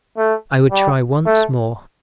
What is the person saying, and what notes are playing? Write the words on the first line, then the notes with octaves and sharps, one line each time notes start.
I would try once more.
A3
G3
A3